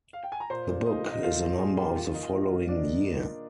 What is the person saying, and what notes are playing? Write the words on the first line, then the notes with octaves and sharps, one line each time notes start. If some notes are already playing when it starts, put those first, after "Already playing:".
The book is a number of the following year.
F5
G5
G#5
A#5
A#2 C5 C6
A#2
A#2 D#4 D#5
A#2
D#4 D#5
A#3 F4 F5
A#2
A#2 G#4 G#5
G3 G4 G5
A#3 F4 F5
D#3 D#4 D#5
F4
A#3
A#3 D4 D5
A#3
F4
A#3